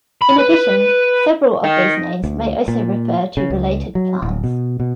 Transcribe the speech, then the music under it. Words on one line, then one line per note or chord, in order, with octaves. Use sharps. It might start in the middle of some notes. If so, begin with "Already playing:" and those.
In addition, several of these names may also refer to related plants.
B5
B4
D#3
D2
A#2
C#3
C#2
F#3
D1
B2
B2